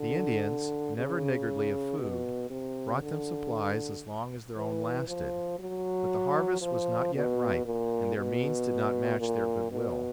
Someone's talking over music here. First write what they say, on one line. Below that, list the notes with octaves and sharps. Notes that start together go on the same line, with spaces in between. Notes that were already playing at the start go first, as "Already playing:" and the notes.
The Indians, never niggardly of food, brought them supplies as long as their own lasted; but the harvest was not yet ripe, and their means did not match their good-will.
Already playing: D3
C#3
B2
C3
D3
E3
F3
F#3
F3
B2
A#2
B2
A#2
B2